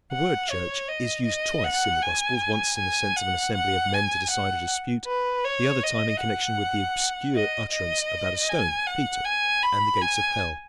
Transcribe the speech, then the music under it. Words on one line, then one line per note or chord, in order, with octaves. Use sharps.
The word church is used twice in the Gospels--once in the sense of an assembly of men to decide a dispute, the other time in connection with the obscure utterance about a stone--Peter, and the gates of hell.
F#5
C#5
D#5
D#5
F#5
G#5
G#5
F#5
F#5
G#5
F#5
B4
C#5
D#5
F#5
D#5
D#5
G#5
F#5
G#5
B5
G#5